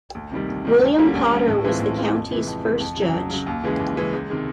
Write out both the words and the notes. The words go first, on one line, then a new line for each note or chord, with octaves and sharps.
William Potter was the county's first judge.
D2
C3 D#3 G3
D2
C3 D#3 G3
D2
D3 G3 A#3 C#4
D2
D3 G3 A#3 C#4
A2
E3 G#3 C4 F4
A2
E3 G#3 C4 F4
F2
C3 E3 G#3
F2
C3 E3 G#3
F2
C#3
F#3
F2
C#3 F#3
D#2
C#3 E3 G#3
D#2
C#3 E3 G#3
C#2
C3 D#3 G#3